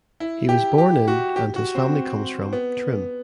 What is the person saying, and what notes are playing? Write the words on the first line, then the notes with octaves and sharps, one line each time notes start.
He was born in and his family comes from Trim.
E4
G4
G4
F#4
G4
F#4
C4
B3